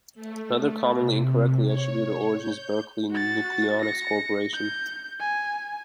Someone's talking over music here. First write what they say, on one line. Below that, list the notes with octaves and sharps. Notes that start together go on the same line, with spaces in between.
Another common incorrectly attributed origin is Berkeley Nucleonics Corporation.
A3
C3
C#5
G6
F#4 A6
A#6 C#7
G6
G#5